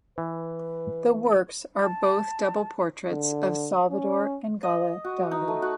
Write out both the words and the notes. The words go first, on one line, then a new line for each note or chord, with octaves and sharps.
The works are both double portraits of Salvador and Gala Dali.
E3 B4
A5
D3
C#4
D#5
F#4
D#4
A3
F#4